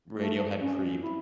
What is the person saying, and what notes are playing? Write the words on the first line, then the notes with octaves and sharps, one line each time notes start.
Radiohead Creep
A3
C#4
E4